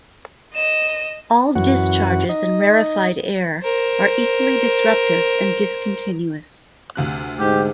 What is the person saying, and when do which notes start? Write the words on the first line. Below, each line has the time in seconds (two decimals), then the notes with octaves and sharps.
All discharges in rarefied air are equally disruptive and discontinuous.
0.54 D#5 E7
1.56 F#2 E3 F#4 F#5
2.29 D#4 D#5
3.63 A#4 C5
6.96 D2 C3 F#6
7.40 G#2 G4